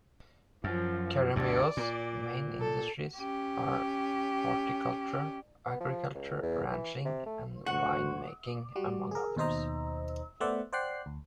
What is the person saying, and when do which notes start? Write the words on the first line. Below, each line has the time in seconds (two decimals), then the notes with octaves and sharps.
Keremeos' main industries are horticulture, agriculture, ranching, and wine making, among others.
0.64 F#2 F3
1.36 D2 G2 D5
1.77 A#2
2.60 A4
3.16 C#4 G4
5.66 B3
5.80 F3
6.14 C#2
6.42 E2
6.71 E3
7.05 C3
7.26 A3
7.66 D2 F#4 F#5
8.76 G3 F#4
9.11 G#4 A#4
9.36 D#2 B2 D#4 C5 D#5 A#5
10.40 A3 B3 C5 D5 E5 F#5
10.73 C5 D5 F#5 G5 F#6 C7
11.06 D2